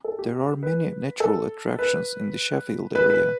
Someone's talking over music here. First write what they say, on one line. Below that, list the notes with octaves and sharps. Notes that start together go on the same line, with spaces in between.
There are many natural attractions in the Sheffield area.
A4
G4
B4
A4
B4
B4
B4